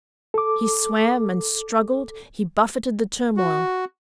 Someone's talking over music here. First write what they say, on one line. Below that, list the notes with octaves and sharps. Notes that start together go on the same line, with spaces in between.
He swam, and struggled, he buffetted the turmoil.
A4 D6
F#4